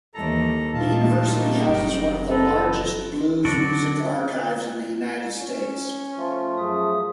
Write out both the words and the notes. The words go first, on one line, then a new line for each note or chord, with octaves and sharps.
The university houses one of the largest blues music archives in the United States.
D#2 E3 G3 A4 A#5
A#2 G3 A3 D#4 F4 A5
F#1 G5
A4 B4 A#5
D3 F#3 D4 F#4 A4 D5
C#4
F3 A3 F4
F#2 G#4 E5 D#6